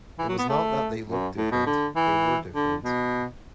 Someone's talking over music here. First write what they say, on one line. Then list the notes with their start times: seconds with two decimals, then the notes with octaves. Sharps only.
It was not that they looked different; they were different.
0.18 E3
0.28 F#3
0.38 B3
0.49 A3
1.07 F#2
1.37 A2
1.52 B2
1.66 D3
1.96 E3
2.54 D3
2.84 B2